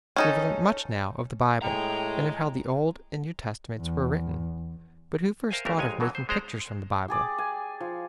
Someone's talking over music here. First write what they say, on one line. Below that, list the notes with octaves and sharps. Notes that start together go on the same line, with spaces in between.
We have learnt much now of the Bible, and of how the Old and New Testaments were written, but who first thought of making pictures from the Bible?
C#4 D#4 A4
A2 G#3 G5 A#5
E2
A#4 C5 E5 F5 G5 G#5
G#1 G2 E3 A3 A#4 E5
A1 F2 G#3 C#5 F5 G#5
B2 E3 F#3
C5
G#3 D#4 C5 D5 A#5
G4 G#4 D5
G#5
F3